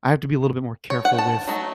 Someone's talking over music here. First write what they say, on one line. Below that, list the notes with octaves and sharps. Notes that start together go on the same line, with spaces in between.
I have to be a little bit more careful with
C#5
F#5
A5
F#3 A3 D#4